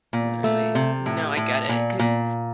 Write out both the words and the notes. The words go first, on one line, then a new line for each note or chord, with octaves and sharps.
Literally. No, I get it, 'cause
A#2
A3
C3
A2
A2
A#2
A#2